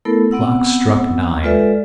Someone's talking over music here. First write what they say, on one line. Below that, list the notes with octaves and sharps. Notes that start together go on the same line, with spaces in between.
The clock struck nine.
A3 B3 E4 A4 A#4
B3 C4 F#5 E6
G#3 F4 A4 B4 D5 E5